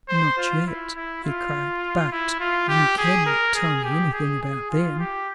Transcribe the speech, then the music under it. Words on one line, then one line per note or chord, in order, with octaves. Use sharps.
"Not yet," he cried, "but--you can not tell me anything about them!"
C5
F4
E4
E4
F4
E4
F4
G4
G#4
A#4
G#4
G4
G#4
G#4
F4
G4